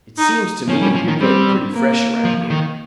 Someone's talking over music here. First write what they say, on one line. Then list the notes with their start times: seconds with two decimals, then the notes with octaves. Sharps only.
"It seems to me you're gettin' pretty fresh around here."
0.18 D#4
0.69 F3 C#4
0.82 G3
0.95 F3
1.08 D#3
1.21 G3 C4
1.72 A#3
2.24 F3
2.50 D#3